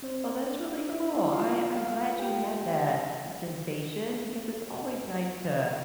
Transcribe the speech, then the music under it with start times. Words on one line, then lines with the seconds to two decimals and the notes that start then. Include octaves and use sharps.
Well, that's really cool. I I'm glad you had that sensation because it's always nice to
0.02 C4 C5
0.46 D4 D5
0.89 E4 E5
1.33 F4 F5
1.76 F4 F5
2.19 G4 G5